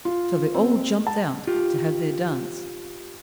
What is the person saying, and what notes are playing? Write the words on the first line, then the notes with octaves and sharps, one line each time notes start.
So they all jumped out to have their dance.
F4
C4
A5
F4 G4